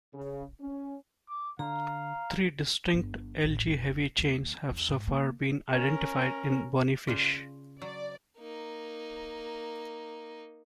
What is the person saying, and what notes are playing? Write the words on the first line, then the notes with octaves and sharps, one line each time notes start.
Three distinct Ig heavy chains have so far been identified in bony fish.
C#3
C#4
D6
D3 F5 A#5
G1
A1
F1
D#2
E2
G#2
A#3
C#4 A#4
C#3 F4 D5
F#3 D5
A#3 D#4